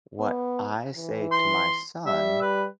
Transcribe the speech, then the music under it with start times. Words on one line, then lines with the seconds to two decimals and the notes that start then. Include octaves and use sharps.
What I say to my son
0.19 B3
0.96 E3
1.32 C6
2.06 G3 E5
2.41 B4